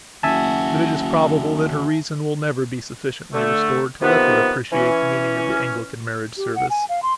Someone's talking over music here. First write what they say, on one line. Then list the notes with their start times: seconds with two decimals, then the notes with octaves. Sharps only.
But it is probable that her reason will never be sufficiently restored to let her appreciate the meaning of the Anglican marriage service.
0.23 F#1 D#2 F#4 E5 G#5 A5
3.33 D3 A3
4.02 C3 D#3 F3 B3
4.72 E3 C#4
6.37 G4
6.55 F#5
6.70 G#5
6.89 F5
7.03 C6